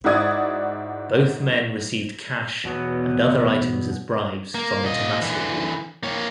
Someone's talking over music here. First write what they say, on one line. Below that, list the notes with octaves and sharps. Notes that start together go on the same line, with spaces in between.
Both men received cash and other items as bribes from the Tomasso Group.
G#2 E4 F#4 D5 D#6 G#6
E2 B2 F#3 B3
A#3
A#2 D#5
D3 E3
A#3 C#5